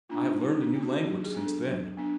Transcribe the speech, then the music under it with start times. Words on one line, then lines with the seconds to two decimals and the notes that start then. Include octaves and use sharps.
I have learned a new language since then.
0.09 A#3 D4 F4
0.25 D#4
0.41 G3 D#4
0.62 D4
0.73 A#3 D4
0.82 F#4
1.03 F#3 G4
1.19 G4
1.24 G#4
1.34 B3 D4
1.46 A4
1.66 F#3
1.97 B3 D4